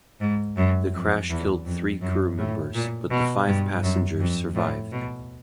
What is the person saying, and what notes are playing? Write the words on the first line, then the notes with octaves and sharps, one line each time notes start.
The crash killed three crew members, but the five passengers survived.
G#2
F#2
F2
E2
F2
F#2
A2
A#2
B2
G2
F#2
F2
A2
B2